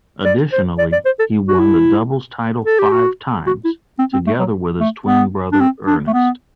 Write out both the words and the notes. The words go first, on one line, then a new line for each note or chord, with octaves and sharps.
Additionally he won the doubles title five times together with his twin brother Ernest.
D5
C5
D5
D5
C5
A4
F#4
E4
A4
G4
F#4
F#4
E4
C4
C4
A3
F#3
A3
B3
D4
C4
D4
A3
B3